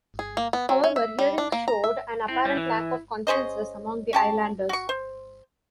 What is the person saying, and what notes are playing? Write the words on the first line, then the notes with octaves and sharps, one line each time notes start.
However, hearings showed an apparent lack of consensus among the islanders.
G#4
A#3
B3
F#3
C#4
E5
G3
D4
A#3
A#5
E5
C4 E4
G3
E3
C#4 G#4 C5 D#5
C#4 G4 A5
F#4 C#6
C5